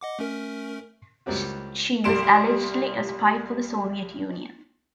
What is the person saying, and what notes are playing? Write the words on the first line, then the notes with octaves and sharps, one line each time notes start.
She was allegedly a spy for the Soviet Union.
D#5 F#5 D6
A3 C#4 A#4
C#2 G3 A#3 C4 F#4
C2 G3 C6 D7 E7